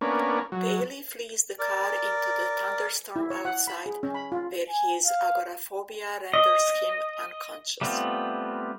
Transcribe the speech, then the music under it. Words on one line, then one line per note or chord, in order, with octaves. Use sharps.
Baley flees the car into the thunderstorm outside, where his agoraphobia renders him unconscious.
A#3 B3 C#4 D4
F#3
A#4 D5
E4
C#5
F#5
B5
G#4
C#4
B5
F4
G#5
F5
D#5
G3 A3 B3 C4 F4